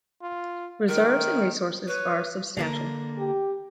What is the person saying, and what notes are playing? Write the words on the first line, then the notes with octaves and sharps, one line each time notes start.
Reserves and resources are substantial.
F4
D#3 A#4
B4 C#5
D3 A#3 A#4
G4